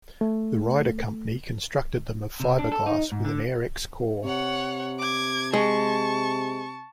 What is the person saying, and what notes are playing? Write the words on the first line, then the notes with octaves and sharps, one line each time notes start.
The Ryder company constructed them of fiberglass with an Airex core.
A3
C3
D4
A4
D#4
G#2
D3
C3 C#5 F#5
D6 G#6
G#3 A5 C#6